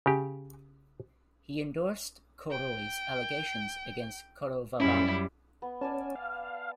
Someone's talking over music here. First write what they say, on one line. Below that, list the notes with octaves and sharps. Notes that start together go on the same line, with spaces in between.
He endorsed Koroi's allegations against Korovavala.
C#3 G4
G5
F#2 G3 C#4 E4
B3
C#4 D5 G#5 A5
F5